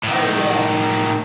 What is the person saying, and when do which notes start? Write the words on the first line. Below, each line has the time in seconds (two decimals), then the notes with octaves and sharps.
Oh, yeah.
0.04 A2 D#3